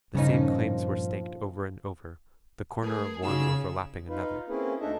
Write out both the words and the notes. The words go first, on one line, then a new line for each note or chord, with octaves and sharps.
The same claims were staked over and over, the corner of one overlapping another.
G2 A#2 C#3 F3 C#4 D#4
A3 G#4 A#4 B4
C#3 D#4 F4 F#4 G#4 E6
D#4 F4 B4
A#3 C4 C#4 E4 G#4 B4
D2 D4 D#4 A4 D#5 E5